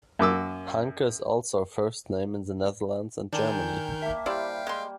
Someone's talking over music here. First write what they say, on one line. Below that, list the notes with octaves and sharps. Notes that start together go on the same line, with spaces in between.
Hanke is also a first name in the Netherlands and Germany.
F#2 A#3 D6 E6
D#3 D4 A#4 G5 G#5 C6 G6
A#3 E5 A5
G3 E4 C5 D5 F5 G5
G#3 C6